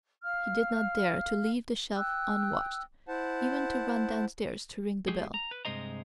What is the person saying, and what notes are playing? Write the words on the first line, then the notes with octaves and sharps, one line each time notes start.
He did not dare to leave the shelf unwatched, even to run downstairs to ring the bell.
F5 F6
G5 E6 F#6
E4 C5 F#5 A5
F#3 G#3 G4 G#4
A#5
B4
G2 C3 G#3 C5 D#5 A#5